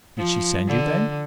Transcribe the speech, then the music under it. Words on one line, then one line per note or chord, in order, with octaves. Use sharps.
"Did she send you, then?"
F3
D3